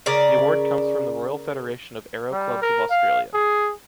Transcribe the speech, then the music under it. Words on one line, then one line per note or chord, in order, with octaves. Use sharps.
The award comes from the Royal Federation of Aero Clubs of Australia.
C#3 A#4 D5
G3
A#4
F5
G#4